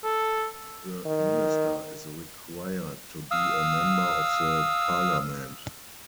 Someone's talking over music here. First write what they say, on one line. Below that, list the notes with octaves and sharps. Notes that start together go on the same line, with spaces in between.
The Minister is required to be a member of the Parliament.
A4
D#3
F5 D#6 E6